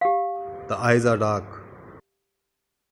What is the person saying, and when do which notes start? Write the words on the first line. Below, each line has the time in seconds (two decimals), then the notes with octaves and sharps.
The eyes are dark.
0.01 G4 F5